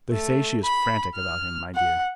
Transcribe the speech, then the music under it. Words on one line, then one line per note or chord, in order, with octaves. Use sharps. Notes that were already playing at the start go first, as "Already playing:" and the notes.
"They say she is frantic about him, my dear."
A3
B5
F6
F#5